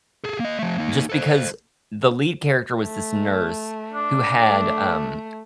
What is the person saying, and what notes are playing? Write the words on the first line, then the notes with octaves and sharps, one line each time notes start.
just because the lead character was this nurse who had, um
G#4 A4
A#3 D#5
F3 A3
A#3 D#4
A4 C5
A3
D4
A3